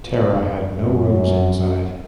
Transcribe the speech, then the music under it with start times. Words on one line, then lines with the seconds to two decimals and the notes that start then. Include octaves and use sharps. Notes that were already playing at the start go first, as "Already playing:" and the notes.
Tara had no rooms inside.
0.82 F#2